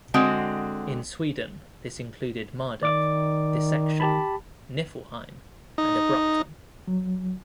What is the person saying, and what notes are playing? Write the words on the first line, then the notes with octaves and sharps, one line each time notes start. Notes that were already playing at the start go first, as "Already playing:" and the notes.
In Sweden, this included Marduk, Dissection, Nifelheim and Abruptum.
D3 G#3 C4 F#4
D#3 D5 D6
G4 A5 B5
D#4
F#3